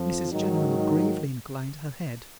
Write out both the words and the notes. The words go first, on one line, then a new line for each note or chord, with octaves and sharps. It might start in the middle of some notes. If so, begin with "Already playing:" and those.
Mrs General gravely inclined her head.
Already playing: F2 F3
G#2 D#3 F#3 D#4
D#4